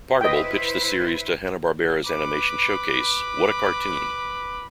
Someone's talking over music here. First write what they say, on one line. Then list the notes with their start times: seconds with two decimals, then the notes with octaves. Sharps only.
Partible pitched the series to Hanna-Barbera's animation showcase What a Cartoon!
0.21 E4 B4 C5 D#5 G5
2.06 B4 B5 D6